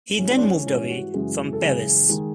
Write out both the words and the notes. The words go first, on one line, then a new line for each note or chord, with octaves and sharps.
He then moved away from Paris.
G#2 E3 G3 C#4
C4
D4
C#4
C#4
G#2 E3 G3 C#4
F#4
F#2 C#3 E3 G#3
A4
F#2 C#3 E3 G#3 G#4
D#3 G#3